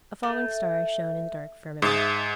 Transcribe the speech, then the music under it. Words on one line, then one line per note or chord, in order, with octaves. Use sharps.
A falling star shone in the dark firmament.
A3
G#2 D#5 E5 A5